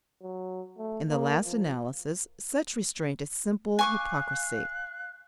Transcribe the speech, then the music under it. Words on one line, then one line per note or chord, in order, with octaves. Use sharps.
In the last analysis such restraint is simple hypocrisy.
F#3
A3
A#3
F3
F5 G#5 C#6 D6 F#6